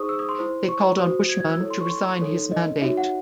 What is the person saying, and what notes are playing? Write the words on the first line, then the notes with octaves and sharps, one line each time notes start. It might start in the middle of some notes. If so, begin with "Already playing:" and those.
They called on Buschmann to resign his mandate.
Already playing: D#4 G#4 C5 C#6 D#6
E6
D#6
C6
E4 C5
C#6
F#4 C5 D#6
G#6
G#6
E6
E4 A4 C#5
C6
C#6
C6
D#4 A4 C#5
D#5
D#4 F#4 C#5 E5
F#5